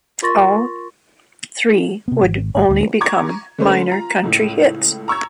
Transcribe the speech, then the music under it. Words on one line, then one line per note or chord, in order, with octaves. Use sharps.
All three would only become minor country hits.
F4 A#4 C6 C#6 A6 A#6
C3 B3
G#1
G#1
D1 D2
A#5 C#6 D6 G#6
D3 G#3 A3 C#4 B4 C5
F4 A#5
C#2 A2
A#5 C#6 E6 G#6